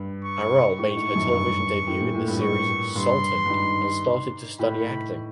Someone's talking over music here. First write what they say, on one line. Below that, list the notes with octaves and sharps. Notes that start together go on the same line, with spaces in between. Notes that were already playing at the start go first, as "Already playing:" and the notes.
Aral made her television debut in the series "Sultan" and started to study acting.
Already playing: G2
C#6
A2 C#6
G#2
F#2
G2
A2
A#2
A2
G2
C#6
G2 C6
G2
G#2
A2 B5